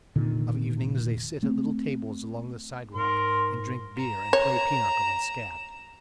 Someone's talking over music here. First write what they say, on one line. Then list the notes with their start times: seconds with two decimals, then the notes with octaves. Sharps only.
Of evenings they sit at little tables along the sidewalk and drink beer and play pinochle and scat.
0.15 F1 A#2 D3 D#3
1.43 A3 C4
2.95 G#2 A#4 C6
3.97 A#5 E7
4.33 C#5